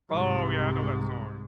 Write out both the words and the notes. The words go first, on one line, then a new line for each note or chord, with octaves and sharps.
Oh yeah, I know that song,
C2 G#2